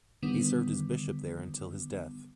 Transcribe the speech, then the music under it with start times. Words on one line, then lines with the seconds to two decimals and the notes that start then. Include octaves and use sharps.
He served as bishop there until his death.
0.23 D3 D#3 G3 B3